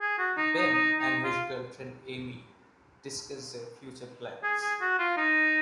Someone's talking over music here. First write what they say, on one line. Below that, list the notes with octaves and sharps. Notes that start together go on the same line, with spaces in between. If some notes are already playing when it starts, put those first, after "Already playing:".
Ben and his girlfriend Amy discuss their future plans.
G#4
F#4
D#4
D#4
D#4
D#4
F4
G#4
G#4
F#4
F4
D#4